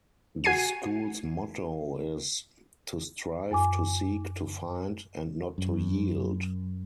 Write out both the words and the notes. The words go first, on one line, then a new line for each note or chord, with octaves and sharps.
The school's motto is "to strive, to seek, to find and not to yield".
F#4 G#5 G#6 C7 D#7
F#2 G#5 D6
F#2